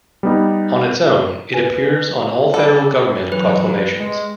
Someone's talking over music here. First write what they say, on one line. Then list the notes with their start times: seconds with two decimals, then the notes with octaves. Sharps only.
On its own, it appears on all federal government proclamations.
0.23 G3 B3 D#4
1.54 B4 G#5
2.54 G3 A4
3.32 E3 F#3 B4
3.98 G#3